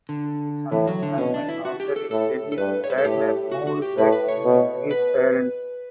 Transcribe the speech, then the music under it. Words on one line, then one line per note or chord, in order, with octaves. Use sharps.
Due to his unemployment after his studies Wagner moved back in with his parents.
D3
A2 E3
F#3
D3
B2 C#4
D4
E4
F#4
G4
A4
A2 A4
A4
G2 B4
C#5
B4
A4
A2 G4
F#4
F#4
G4
A2 B4
B4
C#5
B2
B4